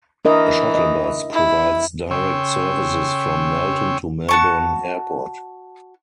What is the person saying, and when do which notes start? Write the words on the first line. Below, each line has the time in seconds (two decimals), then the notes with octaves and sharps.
A shuttle bus provides direct services from Melton to Melbourne Airport.
0.25 E3 D4 A#4 D#5
0.75 D#5
1.33 E4
2.11 C#3 C#5 G5 C6 E6
4.29 F#4 A5 C#6